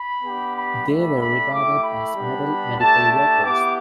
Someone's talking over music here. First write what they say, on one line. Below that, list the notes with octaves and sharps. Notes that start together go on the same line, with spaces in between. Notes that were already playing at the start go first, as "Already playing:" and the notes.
They were regarded as "Middle Medical Workers".
Already playing: B5
B3 D4 G4
B5
A3 D4 G4 B5
B5
A3 E4 G4 D6
B5
G3 B3 D4
A3 D4 G4 A5
A5
B3 E4 G4 D6